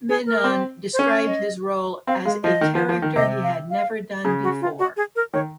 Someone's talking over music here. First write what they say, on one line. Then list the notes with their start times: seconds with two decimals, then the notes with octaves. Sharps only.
Menon described his role as "a character he had never done before".
0.09 G#4
0.26 A#4
0.44 C4
0.93 C5
0.99 C#4 C#5
1.26 D#5
2.07 C4 F5
2.25 G#3 F5
2.43 F3 D#5
2.61 D#3
2.75 F3
2.89 F3
3.02 D#3
3.16 C3 D#5
3.43 F5
3.70 F5
4.24 C#3 G#4
4.43 F#4
4.61 F4
4.79 F#4
4.97 G#4
5.16 A#4
5.34 D#3 C#5